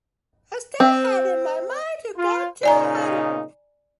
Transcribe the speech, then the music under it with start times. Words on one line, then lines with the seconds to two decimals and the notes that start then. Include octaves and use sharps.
I still had it in my mind to go to Hollywood.
0.80 C4
2.17 F4
2.63 A#2 C#3 D#4 D5 G#5 A#5